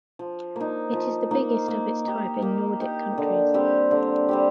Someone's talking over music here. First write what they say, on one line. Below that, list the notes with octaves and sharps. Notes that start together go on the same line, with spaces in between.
It is the biggest of its type in Nordic Countries.
F3
A#3 D#4
F3
A#3 D#4
A#3
D#4 G4
A#3
D#4 G4
D3
G3 C4 G4
D3
G3 C4 G4